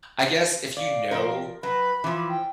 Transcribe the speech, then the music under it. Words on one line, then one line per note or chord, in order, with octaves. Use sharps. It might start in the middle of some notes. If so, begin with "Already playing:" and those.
I guess if you know
D5 F5
F3 A#4
F#3 B4 B5
E3 F3 D6
G5